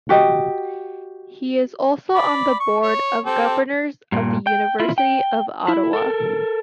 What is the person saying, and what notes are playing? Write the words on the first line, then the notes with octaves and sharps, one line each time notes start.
He is also on the board of governors of the University of Ottawa.
F#4 G4 D#5
D5 B5
C#6
C#5
C4 G4 A4
G2 A#2
G5
E4 F4
G5
E4
A4 A#4